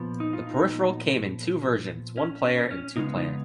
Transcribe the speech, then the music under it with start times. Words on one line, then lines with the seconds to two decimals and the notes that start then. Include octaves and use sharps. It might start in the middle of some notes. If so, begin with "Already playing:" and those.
The peripheral came in two versions: one player and two-player.
Already playing: A#2 F3 B3
0.20 D#4
0.33 F4
0.47 D#4
2.17 C#4
2.45 C#4
2.71 C#4
2.96 C#3 G#3 B3 D#4
3.17 D#4